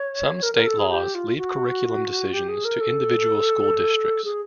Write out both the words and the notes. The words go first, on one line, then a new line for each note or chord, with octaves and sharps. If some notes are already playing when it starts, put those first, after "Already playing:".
Some state laws leave curriculum decisions to individual school districts.
Already playing: C#5
A#4
A#4
A4
G#4
G4
F4
F#4
G4
G#4
A#4
A4
G#4